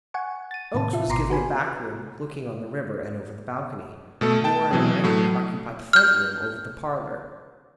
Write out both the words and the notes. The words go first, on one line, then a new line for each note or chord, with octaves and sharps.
Oakes was given the back room looking on the river, and over the balcony; Moore and I occupied the front room, over the parlor.
F#5 G#5 C#6
A6 D#7
A2 C3 D#3 A5
F4 E5
G#1 B2 A#5 C6 D6 C7
F#4 B4 G#5 B5
B2 A3 A4
G5 A5
B2 E3 F#3 C4 G#4
A2 F#3 A3
F6 G6